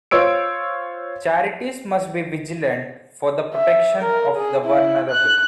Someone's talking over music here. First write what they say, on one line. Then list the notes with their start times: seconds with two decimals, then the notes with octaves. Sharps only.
Charities must be vigilant for the protection of the vulnerable.
0.11 F4 C5 C#5 E6 D7
3.55 E5
4.00 A#4
4.37 G#4
4.65 E4
5.11 F#6